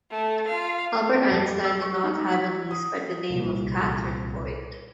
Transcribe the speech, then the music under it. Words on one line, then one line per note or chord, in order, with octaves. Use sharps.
Albert Einstein did not have a niece by the name of Catherine Boyd.
A3
F4 F5
C4
F2
G4
E6
C#6
D#4
B6
D#6
C2 A#2